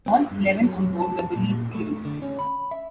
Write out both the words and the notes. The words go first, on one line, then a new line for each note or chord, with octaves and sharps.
All eleven on board were believed killed.
C4
G2
F#3
A5
A#2
A3
D3
C#4
B5
E5